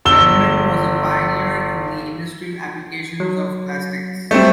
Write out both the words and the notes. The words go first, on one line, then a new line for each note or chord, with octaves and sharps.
Redman was a pioneer in the industrial applications of plastics.
G1 E6 G7
F#3
F#3 G3 A3 C4 D4